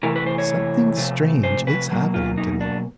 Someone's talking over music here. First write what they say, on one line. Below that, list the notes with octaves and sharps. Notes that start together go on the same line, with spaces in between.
Something strange is happening to me.
C3 E3 A3 A#4
B4
C5
C#5
C3 F3 A3
C5
B4
B2 F#3 A#3
F4
D#4
D4